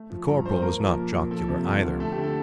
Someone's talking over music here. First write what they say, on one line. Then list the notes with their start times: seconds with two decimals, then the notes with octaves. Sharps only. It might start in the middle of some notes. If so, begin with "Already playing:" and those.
The Corporal was not jocular either.
Already playing: A3
0.10 F3
0.28 G2 A#5
0.45 G2 C5
0.62 A#3 A#4
0.79 F3
0.97 A#2
1.14 A#2
1.31 F3 A4
1.48 C3
1.65 D2
1.83 D2
2.00 A3 A4
2.12 G4
2.18 D3
2.24 A4